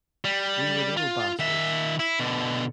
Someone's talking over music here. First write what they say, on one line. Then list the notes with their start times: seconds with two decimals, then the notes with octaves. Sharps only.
We were little bastards.
0.25 G3
0.97 F4
1.39 D#3 E5
1.99 E4
2.20 B2 D3